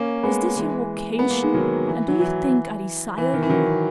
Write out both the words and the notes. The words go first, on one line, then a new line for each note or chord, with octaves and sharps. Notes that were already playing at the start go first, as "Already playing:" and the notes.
Is this your vocation and do you think I desire you?
Already playing: A#3 C#4
G#3 B3
E3 G#3
B3
A#3
G#3
D#3 F#3
E3
F#3
E3
E3
D#3
E3
D#3 F#3